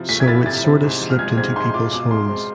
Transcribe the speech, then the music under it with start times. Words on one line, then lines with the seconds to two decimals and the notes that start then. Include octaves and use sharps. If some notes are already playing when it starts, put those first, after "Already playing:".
So it sort of slipped into people’s homes.
Already playing: C3 F3 E4
0.09 A3 B6
0.20 G#6
0.28 E4 A6
0.46 C3 A6
0.64 C4
0.83 G#2
1.01 F3
1.10 F6
1.19 G#3 G#6
1.37 C4 G#6
1.56 G#2 C6
1.74 F4 D6
1.92 B2 D6
2.11 G#3 C6
2.29 C4